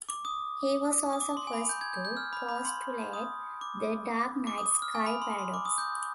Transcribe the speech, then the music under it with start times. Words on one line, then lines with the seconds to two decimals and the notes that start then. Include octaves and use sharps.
He was also first to postulate the "dark night sky paradox".
0.09 D6
0.25 D#6
1.13 D#6
1.21 D6
1.37 C6
1.47 G#5
1.53 B5
1.69 G6
1.81 G#6
1.93 G6
2.05 G6
2.17 F6
2.33 B5
2.49 B5
2.65 C6
3.13 D#6
3.61 D6
4.47 D6
4.58 D#6
4.82 F6
4.95 G#5
5.06 B5
5.22 C6
5.39 C6
5.54 D6
5.65 D#6
5.78 G6